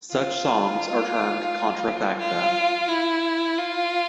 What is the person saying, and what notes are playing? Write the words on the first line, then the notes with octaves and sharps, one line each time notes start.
Such songs are termed contrafacta.
F4
F4
E4
F4